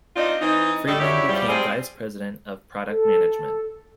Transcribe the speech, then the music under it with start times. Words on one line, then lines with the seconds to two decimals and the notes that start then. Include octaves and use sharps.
Friedman became Vice President of Product Management.
0.16 C4 D4 D#4 F4 D#5
0.42 E3 C4 D#4
0.87 A2 G3 A4 D#5
1.00 F#2 D4 E4 G4 C#5
1.28 E2 F3 G3
1.49 F3 G3 C4 G#4
2.89 A4